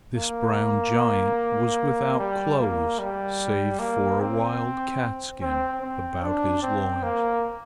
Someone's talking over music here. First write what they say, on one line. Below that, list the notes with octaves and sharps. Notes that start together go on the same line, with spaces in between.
This brown giant was without clothes save for a wild-cat-skin about his loins.
A#3
G3
A#3
G3
A#3
C4
C4
C4
D4
C4
A#3